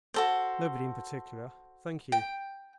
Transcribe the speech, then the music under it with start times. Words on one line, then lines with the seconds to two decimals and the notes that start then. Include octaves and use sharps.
"Nobody in particular, thank ye."
0.14 F#4 A4 C5
2.12 G5